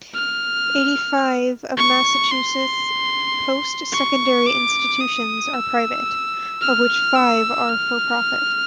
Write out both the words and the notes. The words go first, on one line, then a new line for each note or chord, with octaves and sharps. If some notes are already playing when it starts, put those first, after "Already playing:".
Eighty-five of Massachusetts' post-secondary institutions are private, of which five are for-profit.
F6
C#6
C6
C#6
D6
D#6
E6
F6
E6
F6